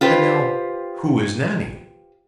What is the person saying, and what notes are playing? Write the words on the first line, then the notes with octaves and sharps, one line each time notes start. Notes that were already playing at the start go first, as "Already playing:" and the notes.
And, now, who is Nannie?
F4 G4 B4 C5